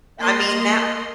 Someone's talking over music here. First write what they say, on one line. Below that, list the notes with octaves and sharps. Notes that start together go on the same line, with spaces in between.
I mean that
A#3 D#5 C6